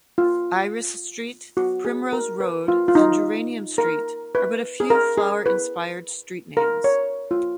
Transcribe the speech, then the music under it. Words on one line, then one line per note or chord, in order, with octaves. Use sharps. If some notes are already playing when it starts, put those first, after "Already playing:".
Iris Street, Primrose Road, and Geranium Street are but a few flower-inspired street names.
F4
F#4
G#4
A#4
B4
F4
F4
D#4
A#4
B4
G#4
A#4
G#4
B4
A#4
C#5
F4